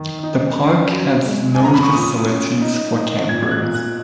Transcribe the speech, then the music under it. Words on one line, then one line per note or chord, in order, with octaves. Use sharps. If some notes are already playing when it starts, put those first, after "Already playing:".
The park has no facilities for campers.
Already playing: D#3
D#4
C#4
F#3
G#3
G#5
C#3 A#5
B5
C#6
A#2 D#6
C#4
D#4
D#4
A#2 G#6
G#6
F#6
A#2
F#6